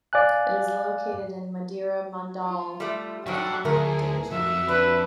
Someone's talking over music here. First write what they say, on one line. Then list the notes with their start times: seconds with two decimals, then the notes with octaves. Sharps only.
It is located in Madhira mandal of Khammam division.
0.13 D5 F5 G#5 F#6
2.43 F4
2.80 G3 A3
3.26 G2 F#3 A4 E5 F#5 G5
3.65 D2 A3 G#4 A#4
4.31 F2 F#4 E5
4.69 D4 B4